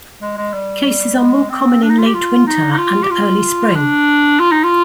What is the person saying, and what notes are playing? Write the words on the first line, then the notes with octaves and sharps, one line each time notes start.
Cases are more common in late winter and early spring.
G#3
G#3
G3
G3
G#3
C4
D4
D#4
F4
G4
F4
D#4
D#4
F4
G4
F4
D4
F4
D#4
F4